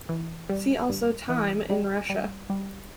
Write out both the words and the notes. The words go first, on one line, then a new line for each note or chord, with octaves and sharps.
See also Time in Russia.
E3
G3
G2
E3
G3
G3
G3